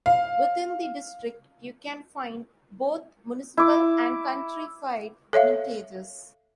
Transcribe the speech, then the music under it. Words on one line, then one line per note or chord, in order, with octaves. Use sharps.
Within the district you can find both municipal and countrified mintages.
F5
E4 D6
A4 C#5 E5 F5